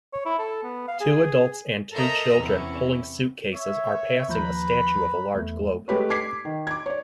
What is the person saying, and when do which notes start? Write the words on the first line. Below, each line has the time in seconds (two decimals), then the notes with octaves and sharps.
Two adults and two children pulling suitcases are passing a statue of a large globe.
0.13 C#5
0.25 E4
0.39 A4
0.63 B3
0.88 F5
1.00 G#4
1.93 A4 A#4 C5 D#5 E5 A#5
2.38 E2 C3 C#4 E4
3.54 C#5 E5
4.28 D#2 F3 B4 A#5 B5 G6
5.34 E2 A3
5.88 G#3 A3 G4 B4 C#5
6.10 D6 G#6 B6 C7
6.45 D#3
6.67 D6 G#6
6.86 C#5 D5